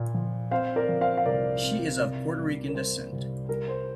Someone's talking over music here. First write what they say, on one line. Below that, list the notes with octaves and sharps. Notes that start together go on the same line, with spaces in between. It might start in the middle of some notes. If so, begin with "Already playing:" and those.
She is of Puerto Rican descent.
Already playing: A#2 A#3
F3
C4 C5 F5
A#4 D5
F3
C5 F5
F5
C2 A#4 D5
C4
C3
C2
A#4
G3 C5
C2
G3 A#4
C5